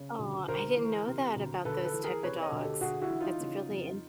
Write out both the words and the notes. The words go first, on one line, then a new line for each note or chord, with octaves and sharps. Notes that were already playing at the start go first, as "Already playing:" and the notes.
Oh, I didn't know that about those type of dogs. That's really interesting.
Already playing: C#3
D2
D2 A#4 C5
E3
C3
D2
D2 A4 B4
A4 B4
E3
G#4 A#4
C3 B4 C#5
C#5 D#5
D2
G4 A4
D2 F#4 G#4
E4 F#4
E3
D#4 F4
C#3
F2